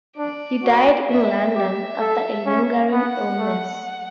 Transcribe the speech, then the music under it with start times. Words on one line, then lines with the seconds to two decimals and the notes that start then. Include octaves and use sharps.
He died in London, after a lingering illness.
0.18 D4 D5
0.63 F#4
1.09 E5
1.55 G4 E5
2.01 A4
2.46 C#4
2.92 B3 F#5
3.38 A3